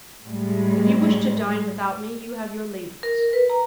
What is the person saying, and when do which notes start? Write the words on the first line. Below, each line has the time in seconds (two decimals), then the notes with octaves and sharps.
If you wish to dine without me you have your ladies.
0.24 A2 G3 G#3
3.03 A#4
3.33 B4
3.50 A#5